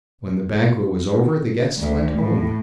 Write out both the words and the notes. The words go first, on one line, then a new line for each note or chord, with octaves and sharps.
When the banquet was over the guests went home.
D2
A2